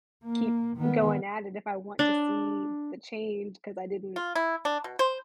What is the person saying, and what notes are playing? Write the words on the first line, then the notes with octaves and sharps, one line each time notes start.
keep going at it if I want to see the change 'cause I didn't
A#3
D#3 B3
D4
F4
E4
D4
B2
C5